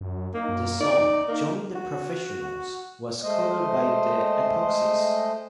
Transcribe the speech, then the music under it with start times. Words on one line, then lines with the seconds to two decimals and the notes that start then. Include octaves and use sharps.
Their song "Join the Professionals" was covered by the Epoxies.
0.01 F#2
0.34 A#3 D#4
0.49 F#2
0.80 D#4 D5
1.28 A#3
1.75 F#4
3.23 G#3 A3 C5 D#5